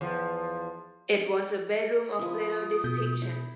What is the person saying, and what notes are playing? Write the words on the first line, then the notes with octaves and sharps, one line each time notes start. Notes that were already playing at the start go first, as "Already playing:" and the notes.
It was a bedroom of little distinction.
E2 F3
F3 E4 D#6
B2 G6
E4